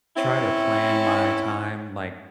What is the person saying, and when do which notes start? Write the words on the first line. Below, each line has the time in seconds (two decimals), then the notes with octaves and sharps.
try to plan my time, like,
0.16 C4 C#4 E4